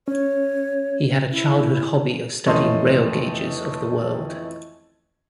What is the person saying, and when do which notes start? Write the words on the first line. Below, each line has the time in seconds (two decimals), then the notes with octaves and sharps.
He had a childhood hobby of studying rail gauges of the world.
0.08 C#4 C#5
1.32 E4
2.46 F2 E3 A3 C#4 D#5 C6